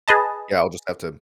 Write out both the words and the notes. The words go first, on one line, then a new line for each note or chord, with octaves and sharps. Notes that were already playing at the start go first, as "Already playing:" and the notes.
Yeah, I'll just have to
G#4 B4 D#5 A5